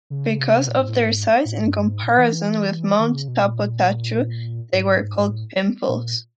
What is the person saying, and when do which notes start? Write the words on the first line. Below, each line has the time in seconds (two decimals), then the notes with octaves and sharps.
Because of their size in comparison with Mount Tapotchau, they were called pimples.
0.10 C#3
0.39 C3
0.68 A#2
0.80 G#2
0.88 A2
1.07 G#2
1.45 A2
1.65 G2
1.84 G#2
2.03 A#2
2.18 D#3
2.22 E3
2.99 D#3
3.14 C#3
3.28 B2
3.43 A#2
4.73 G#2
5.02 G#2
5.18 G#2
5.31 A2
5.88 A#2